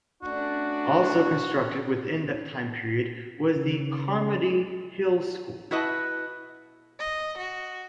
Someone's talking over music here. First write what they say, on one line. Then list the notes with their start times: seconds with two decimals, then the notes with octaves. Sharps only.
Also constructed within that time period was the Carmody Hills School.
0.23 A3 C#4 D4 F#4
3.56 C#3
5.71 E4 F#4 B4 D#5 A5
6.99 D#5
7.38 F#4